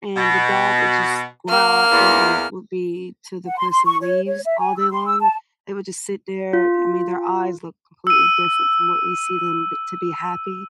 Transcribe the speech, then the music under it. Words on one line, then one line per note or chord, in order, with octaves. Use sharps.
and the dog would just growl at them, and it would be till the person leaves all day long. They would just sit there I mean, their eyes look completely different from what we see them b to be happy,
B2
A#3 F6
E2
F#5
C6
C6
C#6
C#5
C#5
E5
G#5
E6
C6
E6
A5
F4
E6 D#7